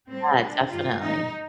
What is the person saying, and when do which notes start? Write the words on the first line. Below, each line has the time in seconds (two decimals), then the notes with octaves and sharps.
Yeah, definitely.
0.09 A2 G3 C4
0.40 D4
0.71 G2 D#3 G3 F4
1.03 D#4